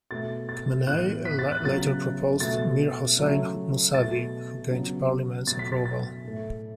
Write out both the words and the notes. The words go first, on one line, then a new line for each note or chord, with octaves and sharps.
Khamenei later proposed Mir-Hossein Mousavi, who gained Parliament's approval.
B2 A3 A6
A6
A2 E3 B3 F#6
B6
A6
F#6
C#3 F#3 B3 A6
B2 A3 A6
C#3 F#3 A3
B2 A3 A6
C#3 F#3 B3
B2 F#3 A3 A6
B6
A6
A6
A2 A3